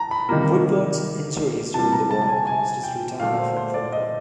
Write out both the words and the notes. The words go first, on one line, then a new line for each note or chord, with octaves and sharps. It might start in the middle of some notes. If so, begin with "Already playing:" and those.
Woodward's injuries during the war caused his retirement from football.
Already playing: A5 A#5
B5
C3 D#3 G3 A#3 A#5
C3 E3 G3 A5
A#5
A5
A5
G#5
G#5
G5
A#2 F#3 A3 F5
C5
C5
D5
D#5